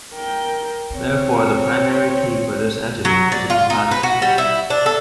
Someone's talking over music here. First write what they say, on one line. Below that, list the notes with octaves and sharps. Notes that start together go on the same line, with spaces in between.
Therefore the primary key for this entity is a composite key.
A#4 G5
C4 C#5
F#3
D5
F4
D#4
B4
F#4
G3
E4
D4
A4